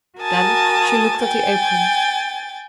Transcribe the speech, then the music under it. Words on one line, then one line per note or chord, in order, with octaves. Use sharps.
Then she looked at the apron.
F#4 A#4 G#5 A5 D#6
G5 G#5 A6